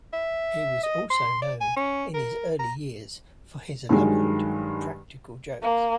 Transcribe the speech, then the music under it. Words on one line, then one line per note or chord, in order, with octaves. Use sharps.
He was also known in his early years for his elaborate practical jokes.
E5
D#5
C6
D5
G#5
C#4
A#4
A#5
G2 D#3 F#3 G#3
A#3